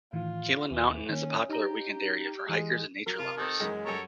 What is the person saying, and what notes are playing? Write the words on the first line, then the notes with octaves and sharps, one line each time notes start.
Kalin Mountain is a popular weekend area for hikers and nature lovers.
A2 D#3 E3 F4
D#2 E3
D#3 A#3 C#4
D#4 G4 A#5
E3 G#3 G4
F#3 A#4
C3 F4 A5
D#3 C4 G4 A4
F#2 E3 G#3 A#4
F#2 G3 A4 A#4 C#5